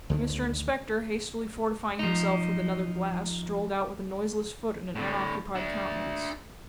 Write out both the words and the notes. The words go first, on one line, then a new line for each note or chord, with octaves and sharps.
Mr Inspector, hastily fortifying himself with another glass, strolled out with a noiseless foot and an unoccupied countenance.
D2 D3 D#3
F3 D#4
A2 D3
D4 E5